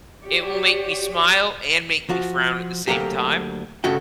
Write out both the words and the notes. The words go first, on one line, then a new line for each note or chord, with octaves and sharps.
It will make me smile, and make me frown at the same time.
F#4 G4 C#5 D5
F3 F#4
D2 G2 F#3 A#3 G4
D2 G2 C#3 A3 F#4 G5